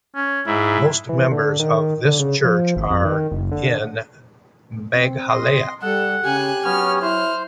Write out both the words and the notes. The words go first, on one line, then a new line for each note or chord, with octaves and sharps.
Most members of this church are in Meghalaya.
C#4
G#2 E4
E3
D3
D#3
D3
C#3
F3
G#1
F2
D#3
F#1
D3
C4
D#5 C6
G3 A4 F#5
C#3 G4 G#5 F#6
F#3 B3 C#4 C#5 F6
E4 C5 F6